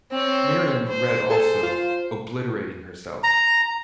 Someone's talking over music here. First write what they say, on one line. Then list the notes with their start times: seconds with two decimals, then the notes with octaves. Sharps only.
Miriam read also, obliterating herself.
0.12 C4 C#5
0.89 C5
1.30 G#4 A4 C5
1.63 F4
3.23 A#5